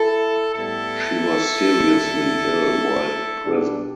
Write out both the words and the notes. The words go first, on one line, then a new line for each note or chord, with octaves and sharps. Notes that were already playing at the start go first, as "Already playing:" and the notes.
She was seriously ill while in prison.
Already playing: E4 A4
A2 G3 B3 E4 A4
E2 D3 G3
B2 G3 B3 D4 G4